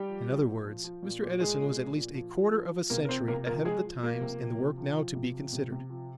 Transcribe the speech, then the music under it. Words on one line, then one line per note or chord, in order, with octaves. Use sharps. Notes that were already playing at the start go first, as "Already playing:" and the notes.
In other words, Mr. Edison was at least a quarter of a century ahead of the times in the work now to be considered.
Already playing: G3 G4
F3
F3
A#2
F3
F3
A#2
A#2
A#2 G#3 G#4
A#2
F3
A#2
F3
F3
F3
F3
C3 A#3 A#4
A#4
F3 C4 C5
C3 A#3 A#4
F3 A#3 A#4
F3 G#3 G#4
F3
F3 A#3
C3
F3
C3
F3
F3
C3
F3
C3
C3
F3